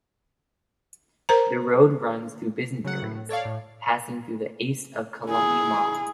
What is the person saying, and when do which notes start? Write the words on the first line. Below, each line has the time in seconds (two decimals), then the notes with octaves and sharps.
The road runs through business areas, passing to the east of Columbia Mall.
1.29 A#4 C5 A#5
2.84 C#3 F#3 F#5
3.02 A2
3.29 A4 C#5 D5 F5
3.45 A2
5.26 E4 G#4